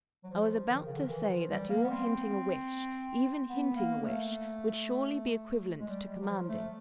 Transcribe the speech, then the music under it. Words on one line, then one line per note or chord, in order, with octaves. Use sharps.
I was about to say that your hinting a wish, even hinting a wish, would surely be equivalent to commanding.'
F#3
F3
D#3
C#3
D3
D#3
E3
F3
G3
A#3
B3
C4
B3
A#3
A3
G#3
G3
G3
F#3
F3
A3